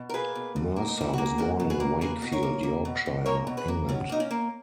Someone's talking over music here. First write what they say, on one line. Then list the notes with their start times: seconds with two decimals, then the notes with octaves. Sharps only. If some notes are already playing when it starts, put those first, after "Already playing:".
Mercer was born in Wakefield, Yorkshire, England.
Already playing: B2
0.10 A#4
0.14 A#3 G#4 B4
0.35 B2
0.56 B2
0.76 A#3
0.88 D#4
0.97 A#3 E4
1.13 A#3 F#4
1.26 G#4
1.38 B2 F#4 A#4
1.60 B2
1.70 G#4 B4
1.80 A#3
2.01 A#3 G#4 B4
2.22 B2
2.32 A#4 C#5
2.43 A#3
2.63 A#3
2.85 B2
3.06 B2
3.26 A#3 A#4 C#5
3.47 B2
3.57 G#4 B4
3.68 A#3
3.89 B2 C#4
4.09 A#3 D#4
4.20 C#4
4.31 A#3